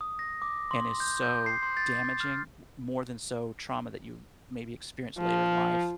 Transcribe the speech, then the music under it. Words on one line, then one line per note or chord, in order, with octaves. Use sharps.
and is so damaging, w more than so trauma that you maybe experience later in life,
D#6
A#6
D6
C6
G6
G6
C7
C6
A6
A6
F6
F3